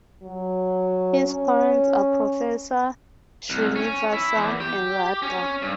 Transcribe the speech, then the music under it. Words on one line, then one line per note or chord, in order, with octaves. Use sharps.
His parents are professor Srinivasan and Radha.
F#3
C#4
C2
C#4
E4
E2
G4
C#4
G2